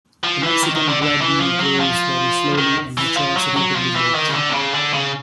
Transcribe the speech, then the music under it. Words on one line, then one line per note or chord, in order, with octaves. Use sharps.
The Mexican redknee grows very slowly and matures relatively late.
F3
E3
D#3
D#3
D3
D3
E3
F3
F#3
F3
D#3
E3
F3
F#3
F#3
F3
E3
D#3
C#3
D3
C3
C#3
D3
C#3